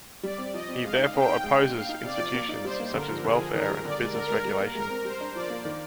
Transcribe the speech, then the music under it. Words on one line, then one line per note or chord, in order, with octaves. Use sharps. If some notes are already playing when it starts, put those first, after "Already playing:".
He therefore opposes institutions such as welfare and business regulation.
G3 D5
C4
F3 D#5
C4
G#3 F5
D#4
C4 G5
D#4
G#3
D4
A#3 F5
D#4
C3 D5
F3
A#3
D#4
G3 C5
A#3
D3 A#4
F3
D3 G#4
F3
D#3 A#4
G3
D3 D5
G#3
D3 A#4
G#3
G3
A#3
G#3 A#4
C4
G3 C5
D4
F3 D5
A#3
D#3